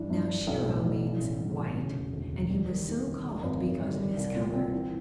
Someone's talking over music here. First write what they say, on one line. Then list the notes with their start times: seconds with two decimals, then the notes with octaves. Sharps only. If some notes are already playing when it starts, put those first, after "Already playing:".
Now Shiro means "white," and he was so called because of his color.
Already playing: G2 E3
0.10 G2
0.28 E3
0.47 B1
0.66 A2
0.84 B1
1.02 E3
1.21 A1
1.40 G2
1.58 A1
1.77 C#3
1.95 E1
2.13 D2
2.32 E1
2.50 G3
2.70 D#2
2.88 D#3
3.06 D#2
3.25 D3
3.43 G#1
3.61 F#2
3.80 G3
3.98 G3
4.16 C2
4.35 A#2
4.54 C4
4.72 E3